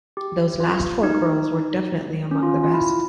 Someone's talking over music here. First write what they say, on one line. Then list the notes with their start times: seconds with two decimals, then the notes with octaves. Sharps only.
Those last four girls were definitely among the best.
0.17 G4
0.60 F4
1.03 D#4
2.31 C#4
2.43 F4
2.63 F4
2.74 E4